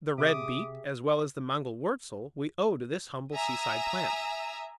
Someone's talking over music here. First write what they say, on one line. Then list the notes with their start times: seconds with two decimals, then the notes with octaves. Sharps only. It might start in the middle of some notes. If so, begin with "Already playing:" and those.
The Red Beet, as well as the Mangel-wurzel, we owe to this humble seaside plant.
0.18 C3 G4 G#4 E5 D6 D#6
3.34 E5 G#5 A#5 D#6 E6